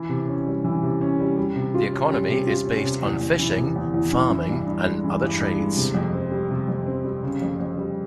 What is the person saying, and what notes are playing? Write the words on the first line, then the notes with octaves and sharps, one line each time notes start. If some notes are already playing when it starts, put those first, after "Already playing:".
The economy is based on fishing, farming, and other trades.
Already playing: E3
C3
C#4
G3
E3
C3
C#4
G3
G3
C3
F4
C#4
G3
C3
F4
C#4
C3
E2
E2
E3
C3
E2
E2
E3
E3
G2
G2
G#3
E3
G2
G2
G#3
C3
F2
C4
G3
C3
F2
C4
G3
C#3
F2
F2
G3